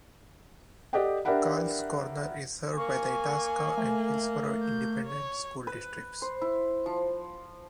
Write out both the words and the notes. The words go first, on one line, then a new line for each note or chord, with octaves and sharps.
Carl's Corner is served by the Itasca and Hillsboro Independent School Districts.
G4 A4 D5 D#5 F#5 G5
D4 G4 A#4 E5 F#5 B5
A#3 G#5 C#6
A3
G6
C#5
B4
C5
E4
F3